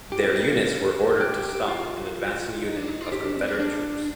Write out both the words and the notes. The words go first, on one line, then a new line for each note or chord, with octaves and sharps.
Their units were ordered to stop an advancing unit of Confederate troops.
G4
C4
D#4
F4
G4
F4
D#4
D4
D#4
F4
G4
D4
C4
D4
D4